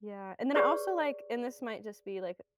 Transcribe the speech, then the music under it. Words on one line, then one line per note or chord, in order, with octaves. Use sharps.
Yeah. And then I also, like, and this might just be, like,
G4 G#4 B4 C#5 D5